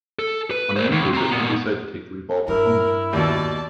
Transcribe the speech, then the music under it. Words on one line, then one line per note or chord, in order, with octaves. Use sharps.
On one visit he decided to take the revolver home with him.
A4
B4
A#4 C5
C#2
C4 A#5
A#2 B3
G2 E4 A#4
D#2 B2 D5 A5